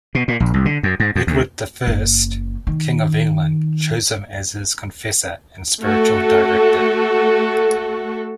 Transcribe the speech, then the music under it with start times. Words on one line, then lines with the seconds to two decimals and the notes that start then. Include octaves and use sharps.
Edward the First, King of England, chose him as his confessor and spiritual director.
0.15 B2
0.28 A#2
0.40 A#1
0.54 C2
0.65 D3
0.83 F#2
1.00 G#2
1.16 F2
1.27 D2
1.87 F#1
2.67 D#3
5.83 A3 F#4 A4